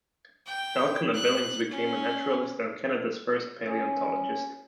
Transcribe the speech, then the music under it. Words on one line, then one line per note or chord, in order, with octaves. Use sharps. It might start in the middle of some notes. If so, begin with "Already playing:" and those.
Elkanah Billings became a naturalist and Canada's first paleontologist.
G5
F#6
C#4
C#4